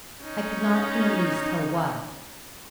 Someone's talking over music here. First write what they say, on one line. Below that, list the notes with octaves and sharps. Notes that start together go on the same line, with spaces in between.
I could not in the least tell why.
C#4 D#4